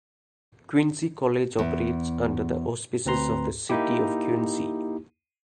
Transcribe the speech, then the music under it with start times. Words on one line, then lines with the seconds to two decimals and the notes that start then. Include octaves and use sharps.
Quincy College operates under the auspices of the City of Quincy.
1.59 E2
3.06 D2 C4 B4 A#5 C6
3.69 A#3 D#4 E4 G4